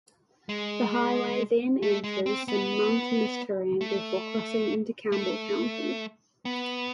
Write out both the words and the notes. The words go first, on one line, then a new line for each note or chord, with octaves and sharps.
The highway then enters some mountainous terrain before crossing into Campbell County.
G#3
A3
G#3
C4
B3
A3
A3
B3